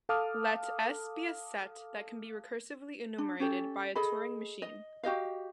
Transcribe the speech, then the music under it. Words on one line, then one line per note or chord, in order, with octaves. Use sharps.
Let S be a set that can be recursively enumerated by a Turing machine.
A4 F5 A5 D6 D#6 F6
D4
C#4 G4 A4
G#4 A4 D#5 B5
D#5
F#4 G4 D#5 F5